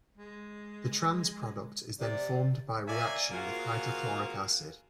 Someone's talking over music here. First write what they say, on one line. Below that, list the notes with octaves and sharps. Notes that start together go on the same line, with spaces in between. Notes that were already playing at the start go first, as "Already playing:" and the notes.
The trans product is then formed by reaction with hydrochloric acid.
G#3
C3 D5
F#3 A#3 D5 E5 G#5
A#3 C4 F4 F#4 G#4 F5